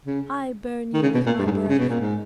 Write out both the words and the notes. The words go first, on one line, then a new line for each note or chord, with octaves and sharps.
I burn you with my breath!
C#3
D#3
C#3
B2
A#2
G2
G#2
G2
C#3
B2
A#2
G#2